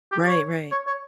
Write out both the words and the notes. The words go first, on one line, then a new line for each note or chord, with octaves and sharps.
Right, right.
G4
C#5
C#5
C#5